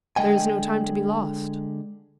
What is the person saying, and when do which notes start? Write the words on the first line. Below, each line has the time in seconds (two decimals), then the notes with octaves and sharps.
"There is no time to be lost."
0.16 D3 G#3 D#5 G5 G#5